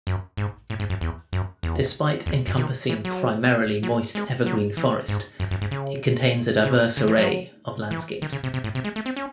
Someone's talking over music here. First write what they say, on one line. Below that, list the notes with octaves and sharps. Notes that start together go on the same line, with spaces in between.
Despite encompassing primarily moist evergreen forest, it contains a diverse array of landscapes.
F#2
G#2
A2
G#2
F#2
E2
F#2
E2
E2
F#2
D#3
E3
F#3
F#3
G#3
F#3
E3
G#2
F#2
F#2
G#2
C#3
C#3
C#3
E3
F#3
E3
D#3
C#3
C3
C3
A2
C3
G#3
A3
C4
C#4